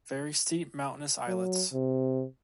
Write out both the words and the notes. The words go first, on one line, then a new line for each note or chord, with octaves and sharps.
Very steep mountainous islets.
F#3
C3